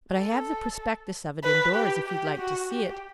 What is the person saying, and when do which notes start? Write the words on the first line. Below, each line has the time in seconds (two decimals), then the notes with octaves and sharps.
But I have the prospectus of it indoors if you'd like to see it.
0.15 A4
1.44 B4
1.76 G4
2.07 G4
2.39 F#4
2.72 G4